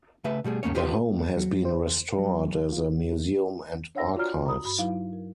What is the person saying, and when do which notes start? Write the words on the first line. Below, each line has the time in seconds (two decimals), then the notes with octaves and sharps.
The home has been restored as a museum and archives.
0.24 C#3 A3 B4 E5
0.44 B2 G3 A3 G#4
0.63 D#2 G#2 A3 A#3 C#4 C#5
0.75 F4 G4 B4 G#5 C6
1.37 F#3
1.65 C5
2.18 F#3
2.72 F4
3.95 D4 C#5 F5 F#5 E6 A#6
4.17 F4 F#4 C#5 D5 A#5 F6
4.46 A#5 B5 D#6
4.64 G2 F#4 B5
4.78 F#3 D#4 E4 B4 F5
5.13 A#4